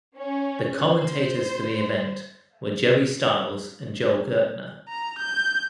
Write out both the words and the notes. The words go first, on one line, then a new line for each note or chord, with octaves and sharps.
The commentators for the event were Joey Styles and Joel Gertner.
C#4
C5
A#5
G6